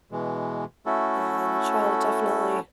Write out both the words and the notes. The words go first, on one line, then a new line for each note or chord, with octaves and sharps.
Yeah, and a child, definitely
B2 E3 G#3
A3 C#4 E4 F#4 A4